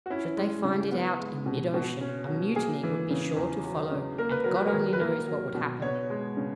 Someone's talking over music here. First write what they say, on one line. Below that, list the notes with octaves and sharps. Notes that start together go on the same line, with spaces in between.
Should they find it out in mid-ocean, a mutiny would be sure to follow, and God only knows what would happen.
F#4
C#4 E4
G#3
C#3
B3
G#3
B2
B2
C#4
F#3
A#3 G#4
E3
C#3
E2
F#3
C#3
A#3 A#4
B4
F#3 A#4
B4
A#4
D#3
B4
A#3 A#4
F#3
B2
B3 C#5
G#3
C#3